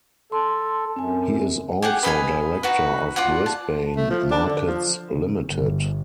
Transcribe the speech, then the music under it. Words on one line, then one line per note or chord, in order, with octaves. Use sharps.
He is also Director of Brisbane Markets Limited.
A4 C6
F#2 C4 G#5
G4 G#4 F#5
B4 D#5 F5 G#5
D#4 F#4 B4
F4 D5 F#5
A5
A3
F3
D4
D3
F3
C#3
G1